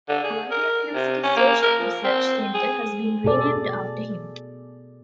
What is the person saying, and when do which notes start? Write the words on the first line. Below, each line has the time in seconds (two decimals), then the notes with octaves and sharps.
Columbia University's social research center has been renamed after him.
0.09 D3
0.24 G#4
0.51 A#4
0.95 C3
1.23 C#4
1.36 A#3
1.63 A#4
1.80 F3
2.04 C4
2.54 G#4
3.24 B2 G#4 A4 D5